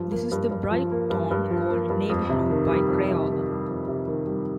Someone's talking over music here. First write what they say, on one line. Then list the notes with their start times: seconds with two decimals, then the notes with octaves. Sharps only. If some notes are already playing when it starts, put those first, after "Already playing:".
This is the bright tone called "navy blue" by Crayola.
Already playing: G2 F3
0.12 A#3
0.32 G2
0.51 G2
0.71 F3
0.91 A#3
1.10 G2
1.31 G2
1.50 F3
1.70 A#3
1.90 G2
2.09 F2
2.29 C3
2.50 D#3
2.69 G3
2.88 F2
3.08 C3
3.29 D#3
3.49 G3
3.68 F2
3.88 C3
4.08 D#3
4.27 G3